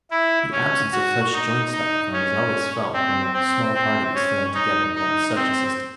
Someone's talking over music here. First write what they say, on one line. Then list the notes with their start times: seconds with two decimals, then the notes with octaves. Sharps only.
The absence of such joint-stock fund is always felt when a small party is thrown together without such assistance.
0.11 E4
0.51 C#4
0.92 F#4
1.33 D#4
1.72 D#4
2.12 C#4
2.93 C4
3.33 C4
3.74 C4
4.14 C#4
4.54 D#4
4.95 D#4
5.35 C4